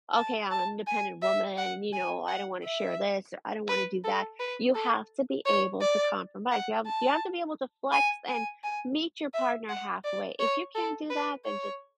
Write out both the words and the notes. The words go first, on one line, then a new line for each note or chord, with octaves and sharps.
"Okay. I'm an independent woman, and, you know, I don't wanna share this, or I don't wanna do that," you have to be able to compromise, you have you have to be able to flex, and meet your partner halfway. If you can't do that, then, just
A5
A5
G#5
E5
F#5
G#5
F#5
E5
B4
A4
B4
A4
C#5
D5
F#5
A5
G#5
G#5
G#5
E5
F#5
D5
C#5
A4
B4
C#5